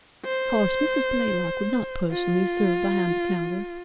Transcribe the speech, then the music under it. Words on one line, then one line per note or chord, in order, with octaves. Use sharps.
Of course, Mrs. Blaylock would not personally serve behind the counter.
C5
F4